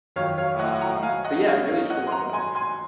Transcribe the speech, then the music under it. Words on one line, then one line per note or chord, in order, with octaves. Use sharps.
um, but, yeah, really, just good luck with everything, though.
F2 D#3 F#3 C#5 F5
C#5 F5
D#5 F#5
F#5 A#5
F5 G#5
D#5 F#5
D#5
C#5 F5
C#5 F5
D#5 F#5
C6
F#5 A#5
G#5 C6
G#5 C6